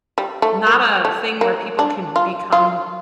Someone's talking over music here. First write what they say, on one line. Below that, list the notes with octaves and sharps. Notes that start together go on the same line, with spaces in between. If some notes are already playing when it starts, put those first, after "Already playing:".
not a thing where people can become
G3
A3
A#3
A3
A#3
D4
F4
F4